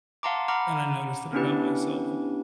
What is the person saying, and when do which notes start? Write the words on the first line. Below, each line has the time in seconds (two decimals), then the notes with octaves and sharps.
and I noticed that about myself.
0.23 F5 F#5 A5 A#5 C6 D6
0.48 F#5 A#5 B5 D6 F6
1.33 B3 C#4 D4 E4 G4 B4